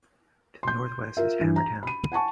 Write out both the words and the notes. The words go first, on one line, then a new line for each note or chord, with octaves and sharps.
To the northwest is Hammertown.
C6 G6
F4 A#4 E5
G2 E3
A#5
B5 D#7
F#5 G#5 A5 C#6